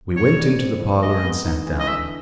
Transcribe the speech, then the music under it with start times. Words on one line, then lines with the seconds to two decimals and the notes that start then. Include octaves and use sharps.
We went into the parlour and sat down.
0.16 D3 C#5
0.38 G3
0.59 C4
0.80 F2
1.02 G#3 D#5
1.23 B3
1.45 D#4
1.67 E3
1.80 D#5
1.88 D3 E5